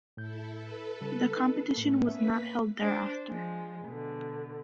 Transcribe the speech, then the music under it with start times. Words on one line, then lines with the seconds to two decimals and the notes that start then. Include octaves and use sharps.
The competition was not held thereafter.
0.17 A2 E4 A4 G6
0.55 A4 B4
1.01 C#3 G3
1.36 B3 D#4
1.75 A2 A3 A#3 C#4
2.07 A#3 B3 B4 E5 B6
2.81 D4 C5
3.27 F3 G#3
3.86 B2 D3